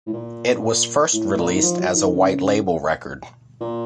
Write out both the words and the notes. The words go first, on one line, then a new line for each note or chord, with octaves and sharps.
It was first released as a white label record.
A2
A#2
A2
A2
A#2
D#3
F3
F#3
F3
D#3
C#3
A#2